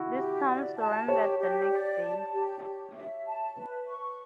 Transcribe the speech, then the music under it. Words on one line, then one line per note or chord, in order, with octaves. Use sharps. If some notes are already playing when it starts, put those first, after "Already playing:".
This town surrendered the next day.
Already playing: E4 F#4
G4
D5
A5
G4 C#5
G4
D5
A5
G4
G4
E5
A5
B4
C#6